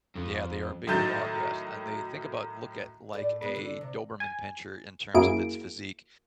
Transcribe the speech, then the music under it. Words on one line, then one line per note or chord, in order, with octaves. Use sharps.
yeah, they are a bigger dog, yes, and they think about look at, like, a Doberman Pinscher in terms of its physique,
F2
A2 D#3 F#3 G6 A6 E7
A2 D5
B3
D3
C3
G#5
F#2 F#3 A#3 E4 G#4 D7